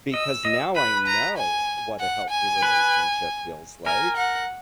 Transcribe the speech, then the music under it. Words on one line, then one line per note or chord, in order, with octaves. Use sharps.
Because now I know what a healthy relationship feels like,
D#5 E6
D#5
B4 B5
A#5
G#5
F#5
G#5
B4
A#4 G#5
F#5